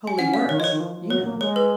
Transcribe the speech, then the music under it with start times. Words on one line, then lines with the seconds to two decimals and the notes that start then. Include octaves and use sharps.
Holy works, you know.
0.07 G#5
0.19 C#4 F#5
0.34 F5
0.49 D#3 C#5
0.59 F3 D#5
0.64 C#5
0.70 D#3
0.80 F3
1.00 F3
1.10 F#3 C#5
1.25 A#3
1.40 G#3 C#5
1.56 B4